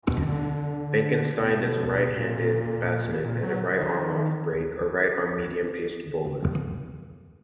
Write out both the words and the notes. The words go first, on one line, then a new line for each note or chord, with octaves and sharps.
Benkenstein is a right-handed batsman, and a right-arm off-break or right-arm medium paced bowler.
B2
D#3
D3
B2
A#2
A#2
F#3
D#3
F3
D#3